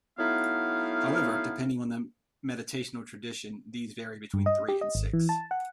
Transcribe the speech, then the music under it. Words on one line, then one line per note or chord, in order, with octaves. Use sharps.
However, depending on the meditational tradition, these vary between three and six.
F#3 A3 B3 D#4 E4 F5
G2
D#5
G4
D#5
G#1
E3
A5
F#5